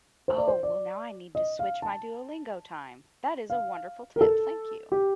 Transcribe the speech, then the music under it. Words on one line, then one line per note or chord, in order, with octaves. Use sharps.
Oh, well, now I need to switch my Duolingo time, that is a wonderful tip, thank you.
C5
D5
C5
D5
D#5
F5
A5
F5
A#4
A4
G4